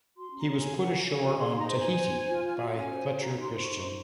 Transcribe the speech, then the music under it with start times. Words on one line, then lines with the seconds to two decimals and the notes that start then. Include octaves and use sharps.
He was put ashore on Tahiti by Fletcher Christian.
0.17 F#4 C6
0.32 C#4
0.38 A#5
0.47 C#5
0.57 G#5
0.62 C#4
0.73 F5
0.77 A#4 F#5
0.93 F#4
1.08 C#5 G#5
1.23 F#4
1.38 G#4 C6
1.53 D#4 A#5
1.68 C5 A#5
1.79 D#4 G#5
1.99 C5
2.14 C5
2.29 F4
2.44 F4
2.60 F#4 G#5
2.67 F#5
2.75 C#4 G#5
2.90 C5
3.05 C#4
3.16 G#5
3.20 F#4 A#5
3.35 D#4
3.40 C6
3.51 C5
3.60 C#6
3.66 D#4
3.81 C5 C6